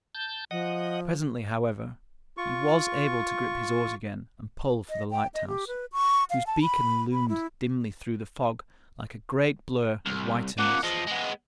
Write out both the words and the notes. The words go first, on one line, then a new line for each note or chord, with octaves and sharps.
Presently, however, he was able to grip his oars again and pull for the lighthouse, whose beacon loomed dimly through the fog like a great blur of whiter mist.
A5 G6
F3 D#5 F#5
F4 C#6
D#5
G5
D#5
G4
B4
C#6
F5
A5
B5
B5
E4
C2
C#3 F3 A#3 F#5
E2 F3 D#5
G#3 B3